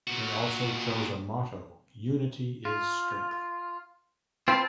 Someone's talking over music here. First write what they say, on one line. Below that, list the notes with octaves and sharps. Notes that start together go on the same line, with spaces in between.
They also chose a motto: unity is strength.
A#2 F#4
F4
C4 F4 B4 A5